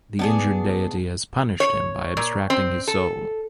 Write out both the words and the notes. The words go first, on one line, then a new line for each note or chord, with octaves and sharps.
The injured deity has punished him by abstracting his soul.
B3 D4 G#4
C#5
A#2
C4
A4